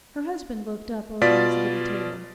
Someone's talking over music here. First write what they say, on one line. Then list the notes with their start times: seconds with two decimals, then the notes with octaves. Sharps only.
Her husband looked up over his little table.
1.21 B2 F4 D5 A6 B6